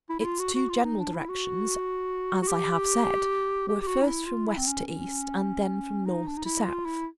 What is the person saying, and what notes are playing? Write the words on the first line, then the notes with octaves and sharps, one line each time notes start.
Its two general directions, as I have said, were first from west to east, and then from north to south.
E4
E4
F4
F#4
F#4
F4
D#4
D4
E4
F#4
F#4
G4
G4
G4
F#4
D#4
E4
F4
E4
C4
C#4
C#4
D#4
D4
D#4
E4
F4
E4